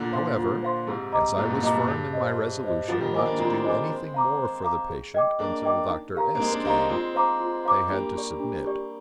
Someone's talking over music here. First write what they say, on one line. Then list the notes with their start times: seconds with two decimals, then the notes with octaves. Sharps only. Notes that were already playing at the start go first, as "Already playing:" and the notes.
However, as I was firm in my resolution not to do any thing more for the patient until Dr. S-- came, they had to submit.
Already playing: A#2 D3 F4
0.12 C5 F5 C6
0.38 F4
0.63 C5 F5 C6
0.87 G#2 C3 G#4
1.12 D#5 A#5 D6
1.37 G2 A#2 G#4
1.50 G#2 C3
1.63 G2 A#2 D#5 A#5 D6
1.75 G#2
1.88 G2 G#4
2.13 C5 D#5
2.38 G#4
2.64 C5 D#5
2.88 D3 F3 F4
3.00 D#3 G3
3.13 G3 A#3 C5 D#5 G#5 D6
3.26 A#3 D4
3.38 G#3 C4 F4
3.64 C5 D#5 G#5 D6
3.89 C5
4.14 F5 A#5 D6
4.39 C5
4.64 F5 A#5 D6
4.90 G#4
5.14 D#5 G5 D6
5.39 A#3 D4 G#4
5.64 D#5 G5 D6
5.90 D#4
6.15 G4 A#4 F5 A#5
6.35 A#3
6.39 G#3 C4 D#4
6.52 A#3 D4
6.65 C4 D#4 G4 A#4 F5 A#5
6.77 A#3 D4
6.89 G#3 C4 F4
7.15 C5 F5 A#5 D6
7.40 F4
7.65 C5 F5 A#5 D6
7.90 G3 A#3 D4
8.16 G4 D5
8.40 D4
8.66 G4 D5